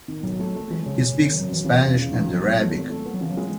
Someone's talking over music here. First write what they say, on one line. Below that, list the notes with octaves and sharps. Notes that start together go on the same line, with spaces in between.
He speaks Spanish and Arabic.
D#3
B1 F#3
A3
A3
E3 G#3
C#3 C#4
B2 C#4
G#1 C#3
D#3
F#2
F#3
F#2 E3
C#3 E3
E2
C#3
F#3 D#4
E3
B1 F#3
B2
A3
G#1
A3
B3
F#3
C#3 E3
F#3
G#3